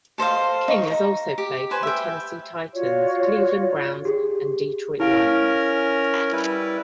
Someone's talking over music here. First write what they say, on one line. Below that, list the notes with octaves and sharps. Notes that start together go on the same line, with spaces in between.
King has also played for the Tennessee Titans, Cleveland Browns and Detroit Lions.
A4 C5 D#5 F5
D#4 C#6
A#5
G4
B4 C5 G#5
E5 G5
F4 F#4 C#5 D5
G4 G#4
C#4 E4 A#4 F5 D7
G3 E4 B4